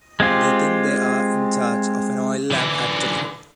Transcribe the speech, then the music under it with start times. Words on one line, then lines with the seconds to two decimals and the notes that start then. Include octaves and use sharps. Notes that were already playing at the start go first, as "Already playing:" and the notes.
They think they are in charge of an oil lamp factory.
0.20 G#3 C4 F4 G4
2.51 D3 E3